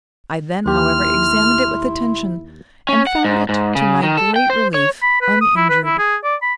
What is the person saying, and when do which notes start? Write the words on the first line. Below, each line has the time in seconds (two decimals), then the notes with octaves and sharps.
I then, however, examined it with attention, and found it, to my great relief, uninjured.
0.66 D#2 E4 G4 C6 F6
2.89 C#4
3.07 F#5
3.25 G#2
3.49 G#2
3.75 C#3
4.03 D#3
4.17 A4
4.36 G5
4.50 C5
4.74 C#5
5.02 B5
5.21 B4
5.41 D#6
5.56 E4
5.69 B4
5.85 E4
5.98 G#4
6.24 D5
6.42 B5